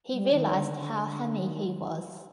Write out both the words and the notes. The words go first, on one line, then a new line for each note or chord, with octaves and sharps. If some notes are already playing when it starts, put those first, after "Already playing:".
He realized how hammy he was.
G3
D#3
D3
D3
D#3